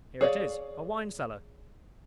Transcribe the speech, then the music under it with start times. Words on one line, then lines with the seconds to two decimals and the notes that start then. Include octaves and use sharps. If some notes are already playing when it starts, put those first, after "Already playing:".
Here it is--a wine-cellar.
0.21 G#4 C#5 D5 F5